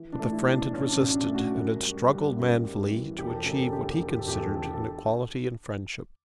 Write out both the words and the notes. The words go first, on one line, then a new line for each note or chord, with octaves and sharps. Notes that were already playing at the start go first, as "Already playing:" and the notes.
But the friend had resisted, and had struggled manfully to achieve what he considered an equality in friendship.
Already playing: E3
D4
A3
E4
E3
D4
B1 C#4
D4
C#4
B1
D4
A3
F#4
F#2
G3
G3
F#2
G3
E3
E1 G4
A4
G4
E1 A4
G4
A4
D3 G4
A4
G4
E1 A4
G4
A4
E2 G4
A4
G4
D3 A4
G4
A4